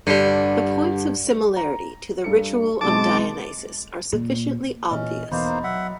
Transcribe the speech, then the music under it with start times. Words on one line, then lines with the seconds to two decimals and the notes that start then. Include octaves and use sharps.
The points of similarity to the ritual of Dionysus are sufficiently obvious.
0.07 G2 D3 G3
1.56 A#5
2.24 G2 A4 C#7
2.81 B1 B2 G#3 C4 A5 D6
4.12 A#2
4.91 A#2 E3 C#4 D#5
5.32 E2 B2 E3 A#3 D#4 C5 D#5 B5
5.64 F#3 E5 F#5